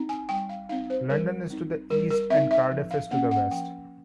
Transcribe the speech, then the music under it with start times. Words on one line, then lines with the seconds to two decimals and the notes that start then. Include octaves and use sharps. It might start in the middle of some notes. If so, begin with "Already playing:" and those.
London is to the east, and Cardiff is to the west.
Already playing: C4 D#4
0.09 G#5
0.29 G3 G5
0.49 F5
0.69 D#4 F5
0.72 C4
0.90 C5
1.09 G3 A#4
1.50 C4 D#4
1.90 G3 A#4
2.10 A#4
2.30 C4 E5
2.34 D#4
2.51 E5
2.71 F3
2.91 F5
3.11 A#3 C#4 F#5
3.31 F#5
3.51 F3 G5